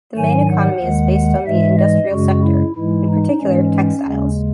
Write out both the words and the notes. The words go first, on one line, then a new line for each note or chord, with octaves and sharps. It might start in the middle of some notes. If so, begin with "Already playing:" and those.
The main economy is based on the industrial sector, in particular textiles.
G#2 D#3 F#3 G#5
F#5
D#2 D#3 G#3
F#5
G#2 E3 G#3 E5
D#5
F#2 C#3 G#3 F#4
E4
G#2 E3 G#3 E4
D#4
G#2 E3 G#3 C#4
D#2 C#3 G#3